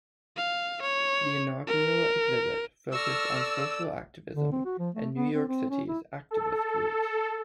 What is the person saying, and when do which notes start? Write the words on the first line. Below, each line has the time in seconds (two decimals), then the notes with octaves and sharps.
The inaugural exhibit focused on social activism and New York City's activist roots.
0.36 F5
0.81 C#5
1.67 A#4
2.92 A4 D5 C#6 E6 F6 A#6
4.35 D3
4.52 C4
4.65 F#4
4.79 F3
4.95 A3
5.15 B3
5.34 C4
5.48 C4
5.70 C#4
5.88 E4
6.31 A4